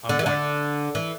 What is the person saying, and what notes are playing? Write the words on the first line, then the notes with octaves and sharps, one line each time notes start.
I'm white,
D3
E3
D3
E3